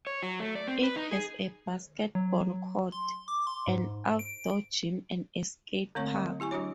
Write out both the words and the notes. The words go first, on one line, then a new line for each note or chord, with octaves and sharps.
It has a basketball court, an outdoor gym and a skate park.
C#5
F#3
A3
D5
C4
B4
D#4
G#4
F#3
C6
D6
C6
G#2
D7
D3 A3 A#3 C4 C#5 C#6
F#3
E4 G4 G#5 C#6
F#3 D4 F#4 C#5